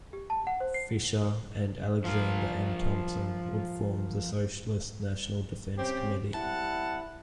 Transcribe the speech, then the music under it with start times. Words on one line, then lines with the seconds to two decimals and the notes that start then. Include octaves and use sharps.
Fisher, and Alexander M. Thompson, would form the Socialist National Defence Committee.
0.13 G4
0.30 A5
0.47 F#5
0.60 C5
0.74 C7
2.04 F3 F4 A#4
5.78 C3 C4 C#4 G4
6.34 G3 C4 E4 F#5 A5